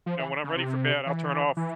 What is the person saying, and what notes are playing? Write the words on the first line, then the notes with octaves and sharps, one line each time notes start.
you know, when I'm ready for bed, I'll turn off
F3
E3
C#3
C3
E3
E3